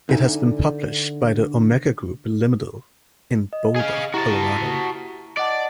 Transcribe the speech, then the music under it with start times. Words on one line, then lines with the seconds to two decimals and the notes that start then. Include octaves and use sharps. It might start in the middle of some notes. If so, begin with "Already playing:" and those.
It has been published by the Omega Group Limited, in Boulder, Colorado.
0.09 D3 D#4 E5 G#5
3.53 D#5
3.76 G#4 F5
4.14 E4 F#4 G4 A5 A#5
5.37 D5 D#5 F#5 A5